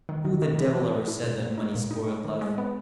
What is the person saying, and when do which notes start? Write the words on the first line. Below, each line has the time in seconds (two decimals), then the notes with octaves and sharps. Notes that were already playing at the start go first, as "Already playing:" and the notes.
Who the devil ever said that money spoiled life?
0.09 D#3
0.25 D#3
0.42 D#3
0.58 E3
0.75 E3
0.91 E3
1.08 E4
1.24 A#2
1.41 A#2
1.58 D#4
1.75 A#2
1.91 D#4
2.08 G#3
2.25 D#3
2.41 G#3
2.58 B3